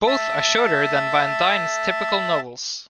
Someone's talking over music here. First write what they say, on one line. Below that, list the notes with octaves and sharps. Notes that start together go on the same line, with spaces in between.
Both are shorter than Van Dine's typical novels.
E5 A5